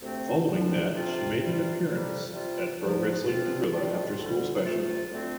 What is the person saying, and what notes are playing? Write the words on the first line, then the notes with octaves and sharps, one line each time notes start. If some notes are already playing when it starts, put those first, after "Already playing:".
Following that, she made an appearance at Pro Wrestling Guerrilla After School Special.
D2 C3 A3 C4
G2 D3 F3 D4
C3 A3 C4 F4
C3 G3 F4
F2 C3 G3
C3 G3 F4
D2 D3 F3
G2 F3 C4 F4
A2 G3 D4 F4
D2 D3 G3
D2 C3 A3 F4
D2 D3 A3 C4 F4